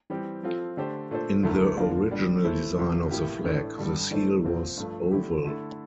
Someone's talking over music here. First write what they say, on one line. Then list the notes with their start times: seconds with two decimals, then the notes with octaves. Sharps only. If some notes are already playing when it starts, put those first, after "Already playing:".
In the original design of the flag, the seal was oval.
0.10 E3 G3 C4 G4
0.43 F3 C4 F4 A4
0.77 D3 A3 D4 G4 C5
1.11 A#2 A3 D4 A4 C5
1.43 D2 D3 A3 E4 A#4
1.77 D3 F3 A#3 D4 F4
2.11 A#2 G3 D4
2.44 E3 A3 E4 A4 C5
2.77 C2 C3 F3
3.11 A2 E3 A#3 E4 G4
3.44 A2 E3 A3 D4 A4
3.77 G2 D3 G3
4.11 E3 A3 D4 A4 C5
4.44 C2 A#2 F3 C4
4.77 G2 F3 A3
5.11 D3 A3 E4 G4
5.44 D3 A3 E4 A4